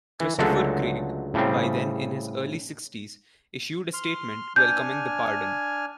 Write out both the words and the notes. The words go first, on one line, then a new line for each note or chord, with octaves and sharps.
Christopher Craig, by then in his early sixties, issued a statement welcoming the pardon.
E3
C#2 D3 F#3 G#3 A3 A4
A2 C#3 G3 C4
C6 F6
D4 G#5 F6 G6